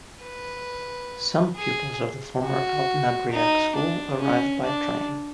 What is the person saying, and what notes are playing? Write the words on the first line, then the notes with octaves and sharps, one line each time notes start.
Some pupils of the former Altnabreac School arrived by train.
B4
G#4
F#4
D#4
D4
C#4
D4